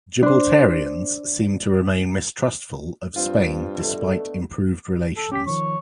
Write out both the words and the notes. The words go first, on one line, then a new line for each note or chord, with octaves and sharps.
Gibraltarians seem to remain mistrustful of Spain despite improved relations.
D4 C5
G2 C4 F4
B2 D3 A3
A4
C#4 G4 D6 B6
D#3 F3 C#5